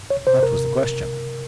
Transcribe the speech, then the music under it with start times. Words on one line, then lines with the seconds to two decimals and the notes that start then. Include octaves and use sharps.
That was the question.
0.10 C2 C#5
0.27 C3 C5
0.43 C3 A#4
0.59 C3